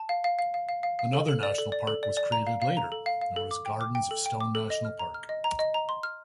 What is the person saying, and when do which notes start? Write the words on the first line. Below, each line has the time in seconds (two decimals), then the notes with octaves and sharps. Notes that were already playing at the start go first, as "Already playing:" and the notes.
Another national park was created later, known as the Gardens of Stone National Park.
Already playing: A5
0.09 F5
0.24 F5
0.39 F5
0.54 F5
0.69 F5
0.83 F5
0.99 F5
1.13 A4
1.28 A4
1.43 D5
1.58 A4
1.72 D5
1.87 A4
2.03 D5
2.17 D5
2.32 A#5
2.47 F5
2.62 F5
2.77 A#5
2.92 A4
3.06 F5
3.21 F5
3.36 A4
3.51 D6
3.66 G5
3.81 D6
3.95 G5
4.11 A4
4.26 G5
4.41 D6
4.55 A4
4.70 D#5
4.85 F6
4.99 A#5
5.14 F6
5.29 D#5
5.44 A#5
5.59 D#5
5.74 A#5
5.89 C6
6.03 F6